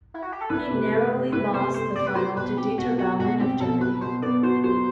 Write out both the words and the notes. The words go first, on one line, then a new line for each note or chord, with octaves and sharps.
He narrowly lost the final to Dieter Baumann of Germany.
E4
F#4
G4
A4
E3 B4
C3
A3
C3
E3 B4
C3 C5
A3 C5
C3 D5
B4
F#3 C5
B2 B4
C4 G4
B2 F#4
F#3 F#4
B2 F#4
C4 G4
B2 A4
F#3 B4
B2 C5
B3 D5
F#4 C5
F#3 C5